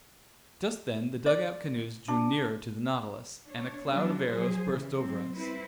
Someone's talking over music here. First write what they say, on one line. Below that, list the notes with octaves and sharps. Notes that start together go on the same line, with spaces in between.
Just then the dugout canoes drew nearer to the Nautilus, and a cloud of arrows burst over us.
D5
D4
D4 C#5
F3 F#3 B3 D4
F3 F#3 G#4 C5
C#3 E3
F#3 C4
G3 C4 E4 B4 C5